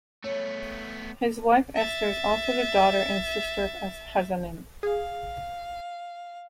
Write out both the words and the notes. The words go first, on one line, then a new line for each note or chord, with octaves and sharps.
His wife, Esther, is also the daughter and sister of hazzanim.
A3 B3 C#5
E5 A6
G#4 F5